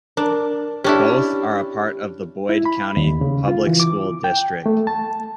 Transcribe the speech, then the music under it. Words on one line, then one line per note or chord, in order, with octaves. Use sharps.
Both are a part of the Boyd County Public School District.
D4 A#4
C#4 D4 E4 G4
E4
B5
D#2
C#3
F4
E3
D6
G5
A3
A5